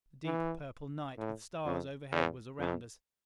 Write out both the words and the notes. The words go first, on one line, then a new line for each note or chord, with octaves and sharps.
The deep purple night with stars overhead was around us.
E3
A2
F2
E2
F2